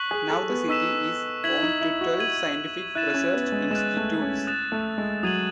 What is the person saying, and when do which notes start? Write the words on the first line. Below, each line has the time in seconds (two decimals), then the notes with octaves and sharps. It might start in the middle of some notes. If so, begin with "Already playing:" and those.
Now the city is home to twelve scientific research institutes.
Already playing: C#6 F#6 B6 F#7
0.11 G#4
0.30 A4
0.49 B3
0.68 D#4 C#6 E6 B6 E7
1.44 E4 G#6 B6 F#7
1.63 D#4
1.81 E4
2.01 F#4
2.19 G#6 D#7 F#7
2.95 E4 F#6 A6 E7
3.14 C#4
3.34 B3
3.52 G#3
3.71 G#3 F#6 A6 E7
3.97 A3
4.22 C#4
4.47 D#6 F#6 A6 E7
4.72 A3
4.98 G#3
5.23 F#3 D#6 G#6 D#7 F#7